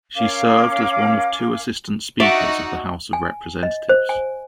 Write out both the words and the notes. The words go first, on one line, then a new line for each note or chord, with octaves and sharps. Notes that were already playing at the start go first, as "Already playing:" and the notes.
She served as one of two Assistant Speakers of the House of Representatives.
C#4 A#4 F5 D6
D#4 F#4 D5 E5
G#5
D#5
C5
G#5